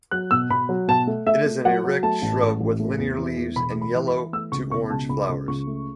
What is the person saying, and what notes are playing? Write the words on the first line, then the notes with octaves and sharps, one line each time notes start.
It is an erect shrub with linear leaves and yellow to orange flowers.
F#3 F#6
B2 E6
B2 B5
F#3
B2 A5
A3
A3 E5
A3
F#3 F#5
F#3
A3 A5
A1
A2
A1
A3
E2
E3
E2
E1 B5
A3
B5
E3
B5
E3
A3 E6
C#2 C#6
B2 C#6
C#2 A5
C#2 B5
C#2
C#2 C#6
A3